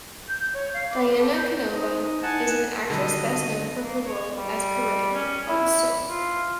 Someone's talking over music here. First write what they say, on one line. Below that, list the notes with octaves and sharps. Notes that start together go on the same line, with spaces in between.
Diana Canova is an actress best known for her role as Corinne on "Soap".
G6
G6
C#5
F5
D6
A4
G6
D#4 C5 D#5
E4 F#5 G#5 A5
G2 D3 D#3 F#3 D#5
A#3
C#5
G3
C#4
E4
F4